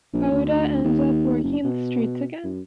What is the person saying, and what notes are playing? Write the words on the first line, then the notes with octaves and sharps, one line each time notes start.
Adua ends up working in the streets again.
A#1
D2
D#2
F#1
B2
F#2